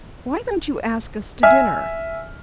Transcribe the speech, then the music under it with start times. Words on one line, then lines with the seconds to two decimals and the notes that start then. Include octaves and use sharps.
Why don't you ask us to dinner?
1.43 E5 G#5 F6